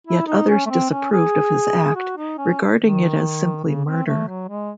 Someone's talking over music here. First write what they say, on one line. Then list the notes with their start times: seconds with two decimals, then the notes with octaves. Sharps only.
Yet others disapproved of his act, regarding it as simply murder.
0.07 E4
0.27 D#4
0.49 C#4
0.65 A3
0.70 C4
0.90 C#4
1.12 G#4
1.95 F#4
2.17 D#4
2.38 C#4
2.81 D#3
3.65 C#3
3.85 C4
4.07 A3
4.28 F#3
4.49 G#3